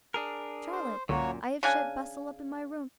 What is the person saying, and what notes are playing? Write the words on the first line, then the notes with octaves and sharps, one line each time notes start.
'Charlotte, I have shut Bustle up in my room.
D4 G#4 A#4
C5
C#2 F#2 A#2 D3 A#3 F#4 C#5
C#3 D4 G#5